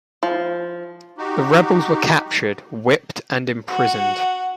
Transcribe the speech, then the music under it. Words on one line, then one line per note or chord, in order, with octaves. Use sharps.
The rebels were captured, whipped, and imprisoned.
F3
D#4 F#4 G4
F#4 F#5